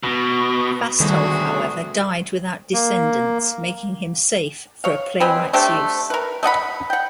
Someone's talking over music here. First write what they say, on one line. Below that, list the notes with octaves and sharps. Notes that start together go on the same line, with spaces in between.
Fastolf, however, died without descendants, making him safe for a playwright's use.
B2
D2 B2 D#3 G3 A3 D4 F#4 G#4
A#3
C#5 F5
B2 C4 G#4 B5
A3 D4 G4 C5
A#4 B4
A3 D#5 F#5 B5
F#5 G5